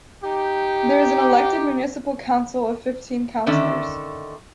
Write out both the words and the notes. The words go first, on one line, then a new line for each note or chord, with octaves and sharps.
There is an elected Municipal Council of fifteen councilors.
D#4 G4
D3 D#3 C#4 D5 E5